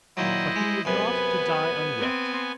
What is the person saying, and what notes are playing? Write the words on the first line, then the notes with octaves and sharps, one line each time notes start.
But he was not to die unwept.
A#2 D#3 F#3 E4 C5 D#5
G#3
F#2 C3 B3 B4 G#5
C4